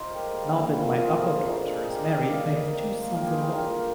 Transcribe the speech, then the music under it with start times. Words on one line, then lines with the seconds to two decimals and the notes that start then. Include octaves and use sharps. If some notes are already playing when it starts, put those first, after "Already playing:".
Now that my other daughter is married I have two sons-in-law.
Already playing: D#4 F4 C5
0.10 G#2 G4 A#4
0.32 G3 A#3
0.54 A#2
0.75 F3 A#3
0.97 D3 F4 G#4
1.19 F3 G#3
1.42 D3
1.63 G#3
1.77 G#4
1.85 C3 D#4 G4
1.96 D5 F5
2.06 G3 A#3 D#5 G5
2.17 D5 F5
2.29 G#2 D#5 G5
2.51 G3 A#3
2.72 C3
2.94 F3 A#3
3.16 G#2 G4 A#4
3.27 F4 G#4
3.37 G3 A#3 G4 A#4
3.49 G4 A#4
3.59 D3